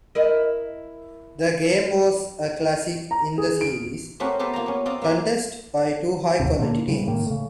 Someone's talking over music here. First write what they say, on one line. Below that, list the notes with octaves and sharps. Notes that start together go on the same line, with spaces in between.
The game was a classic in the series, contested by two high-quality teams.
E4 A#4 D#5
A#5
G#4
D7
A3 C4 C#4 F#4 G4 A#4
B3 G4 A#4 C5 E5 A5
A#3 F4 A5 A#5
B3 C#4
C4 F4 D5 D#5 A#5
A#3 E5 C6
A1 D#2 C3
A#2 D3 A3 A#3
C#3 G3 G#3
A2 D#3 A#3
C#3 A3